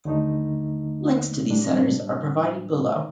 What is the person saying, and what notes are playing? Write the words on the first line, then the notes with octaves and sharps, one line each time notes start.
Links to these centres are provided below.
D#2 D3 A3 D#4
A2 G3 A#3 D4
D#3 A#3